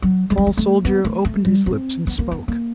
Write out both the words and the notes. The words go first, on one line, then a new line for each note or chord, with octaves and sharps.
The tall soldier opened his lips and spoke.
F#3
G#3
G3
G#3
A3
B3
A3
A3
G3
C4
B3
A#3
B3
A#3